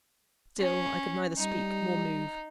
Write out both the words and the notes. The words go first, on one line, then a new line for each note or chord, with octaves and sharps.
Still I could neither speak nor move.
C#4
G3 D#4